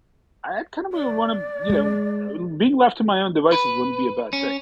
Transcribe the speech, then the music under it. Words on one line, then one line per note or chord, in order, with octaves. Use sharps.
I had kind of u wanna, you know, uh be left to my own devices wouldn't be a bad thing.
D5
G#3
B4
C#4